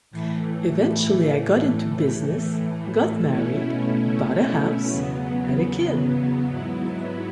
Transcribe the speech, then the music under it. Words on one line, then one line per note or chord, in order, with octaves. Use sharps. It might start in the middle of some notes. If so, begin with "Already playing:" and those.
Eventually I got into business, got married, bought a house, had a kid.
A2 E3 A3
A2 E3 A3
B2 A3 C#4 E4
E2 C#3 F#3 B3
G#2 F#3 B3 E4